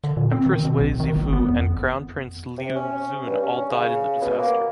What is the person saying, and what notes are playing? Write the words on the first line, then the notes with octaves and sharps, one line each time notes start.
Empress Wei Zifu and crown prince Liu Xun all died in the disaster.
D3
A#2
C4
D#3
B2
B1
D#3
G1
B3
F2
C3
C#4
G2
C#4
C#3
B2
A#3